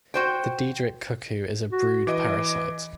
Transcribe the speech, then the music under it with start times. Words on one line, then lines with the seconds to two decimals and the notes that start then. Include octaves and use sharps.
The diederik cuckoo is a brood parasite.
0.14 F#4 C5 G5
1.72 F#4
2.07 E3 D#5 D6